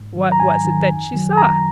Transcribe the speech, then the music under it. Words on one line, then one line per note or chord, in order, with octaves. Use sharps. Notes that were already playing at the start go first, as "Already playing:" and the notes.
What was it that she saw?
Already playing: G#2
D#3 F#3
A#5
G#2 G#5
D#3 F#3
F#2
D#3 F#3
F#2 A#5